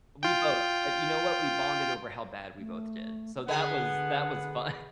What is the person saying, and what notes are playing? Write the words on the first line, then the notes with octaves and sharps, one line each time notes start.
We both, uh, you know what, we bonded over how bad we both did, so, that was that was fun.
F4 G5
A3
D3 B3 G#4 B4 F#5